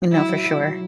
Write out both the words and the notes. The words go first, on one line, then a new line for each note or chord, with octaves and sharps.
You know, for sure.
F#3 E4
F#3
F#3
F#3